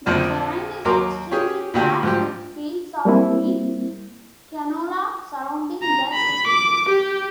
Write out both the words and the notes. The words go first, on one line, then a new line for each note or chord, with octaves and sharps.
The terrain is extremely flat with fields of wheat and canola surrounding the city.
A#1 F2 D3 C4
D#2 F#3 A#4 C6 D6
C#4 G4 G#4
A#2 D3 G4
G#2 F3 G4
G3 A#3 C4 E4
A#5
B5
D6
G4